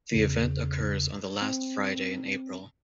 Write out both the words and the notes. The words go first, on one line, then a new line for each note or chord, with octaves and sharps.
The event occurs on the last Friday in April.
E2 C#3
C4